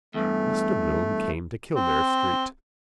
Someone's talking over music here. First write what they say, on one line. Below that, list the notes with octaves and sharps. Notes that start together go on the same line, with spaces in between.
Mr Bloom came to Kildare street.
E2 G2 A3
C4